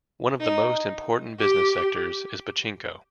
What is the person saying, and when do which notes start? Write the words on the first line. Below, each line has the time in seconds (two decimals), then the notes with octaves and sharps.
One of the most important business sectors is pachinko.
0.40 D#4
1.39 G4